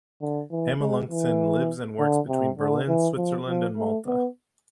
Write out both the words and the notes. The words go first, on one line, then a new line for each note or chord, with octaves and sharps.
Amelunxen lives and works between Berlin, Switzerland and Malta.
D3
E3
G#3
E3
D3
C3
D3
E3
F3
F3
A3
B3